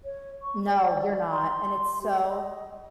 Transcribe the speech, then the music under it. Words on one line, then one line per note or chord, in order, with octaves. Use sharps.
No, you're not, and it's so,
C#5
C#6
D5
C6
G4
D#5